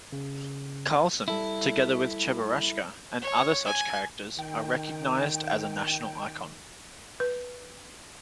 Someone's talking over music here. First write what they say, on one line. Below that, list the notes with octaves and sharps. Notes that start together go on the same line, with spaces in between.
Karlsson, together with Cheburashka and other such characters, are recognized as a national icon.
C#3
G3 E4 A4 E5
C#5
G#5
D#3 G5
B4